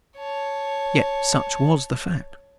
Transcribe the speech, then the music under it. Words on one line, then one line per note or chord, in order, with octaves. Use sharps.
Yet such was the fact.
C#5 A5